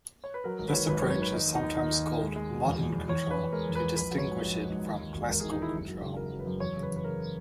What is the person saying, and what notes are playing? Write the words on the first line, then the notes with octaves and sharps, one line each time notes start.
This approach is sometimes called "modern control" to distinguish it from "classical control".
C#5
B4
F#3 A#4
G#1 A#4
B4
D#3 C#5
G#1 B4
C#5
F#2
C#5
D#3 B4
D#3 D#4
D#2
D#4
D#2
D#3 D#4
D#2
D#2
G#3
G#3
B2
E2
E2
E2
E2 C#5
E2
B4
E2
G#3 A#4
E2
B4
E2
A#1 B4
F#3
C#5
G#2
A#1
G#2
G#2
D#2
D#2
E1
E1 A#4
G#4
D#3
D#4
D#2 E4
F#1
F#3
C#3
F#3 A#4
F#3
B4
F#2
E2 C#5
C#3
B4
E2
B4
C#3 A#4